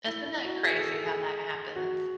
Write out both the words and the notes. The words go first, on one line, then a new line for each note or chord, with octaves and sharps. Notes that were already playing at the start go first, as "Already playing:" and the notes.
Isn't that crazy how that happens?
E4
E4
F#4
G#4
A4
A4
G#4
F#4